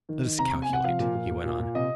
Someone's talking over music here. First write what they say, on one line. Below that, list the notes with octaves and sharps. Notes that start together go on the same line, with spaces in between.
"Let us calculate," he went on.
D#3
D#3
C3 A#5
C3
G#5
C3 F#5
F3 F5
A#2
A#2
A#2
A#2
A#2
C3 D#5